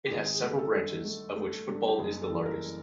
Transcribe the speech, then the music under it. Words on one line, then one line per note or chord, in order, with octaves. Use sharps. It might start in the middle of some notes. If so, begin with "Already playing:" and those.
It has several branches, of which football is the largest.
G4
G#1 G#4
G#4
A3
A4
G2
A3
A3
G2
G4
F#1 G#4
A4
E3
A#4